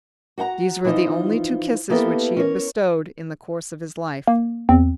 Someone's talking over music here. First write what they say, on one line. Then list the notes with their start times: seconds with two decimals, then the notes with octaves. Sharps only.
These were the only two kisses which he had bestowed in the course of his life.
0.38 F#4 F#5 G5 A#5
0.85 E3 F3 C4 D#4 F4
1.90 A#3 B3 E4 G4 A4
2.36 C#4 A#4 C#5
4.27 A#3
4.69 E2 C4